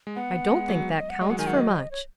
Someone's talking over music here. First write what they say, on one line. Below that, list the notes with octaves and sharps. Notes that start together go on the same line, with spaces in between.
I don't think that counts for much.
G#3
B3 F#5
G#3
F#3
D#5
F#5
G#3 D#5
F#3 F#5
D#3 G#5
F#3 F#5
D#5
C#5